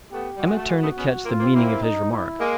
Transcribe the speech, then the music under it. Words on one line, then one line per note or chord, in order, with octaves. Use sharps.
Emma turned to catch the meaning of his remark.
A3 B3 G4
G3 F#4
G#3
A3
G#3 A#3
A3 B3
B3 C#4
A#3 C4 F4
A#3 C4
A#3 C4 E4
D#4
E4
G#3 A#3